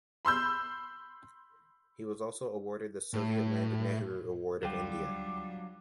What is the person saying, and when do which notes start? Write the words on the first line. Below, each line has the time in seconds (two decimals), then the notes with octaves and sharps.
He was also awarded the "Soviet Land Nehru Award" of India.
0.25 B5 C6 E6 G6
3.14 A2
4.63 D2 F#3 G3 D4 F4 G5 D6